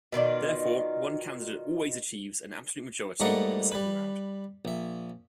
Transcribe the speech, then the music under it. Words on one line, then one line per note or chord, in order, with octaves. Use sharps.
Therefore, one candidate always achieves an absolute majority in the second round.
B2 D#3 F4 D5
G#2 G3 A3 A#3 D#5 F#5
G3 B4
A#1 E5